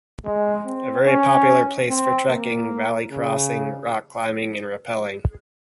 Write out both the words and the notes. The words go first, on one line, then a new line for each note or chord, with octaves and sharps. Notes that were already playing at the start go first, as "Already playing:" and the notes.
A very popular place for trekking, valley crossing, rock climbing and rappelling.
G#3
C4
C#4
C4
A#3
C#3